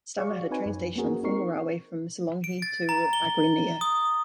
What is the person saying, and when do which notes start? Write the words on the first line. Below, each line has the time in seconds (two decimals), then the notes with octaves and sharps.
Stamna had a train station on the former railway from Missolonghi to Agrinio.
0.17 G#4 C#5 D5 F5 C#6
0.30 F#4
0.51 C4 D#4 B4 C#5 G#5
0.66 F#2
0.96 A#3 B3 C#4 F#4 G#4 A#4
1.23 C4 D#4 A#4 C#6 C7
2.44 D7
2.62 A6
2.89 A#5
3.13 G7
3.81 D#6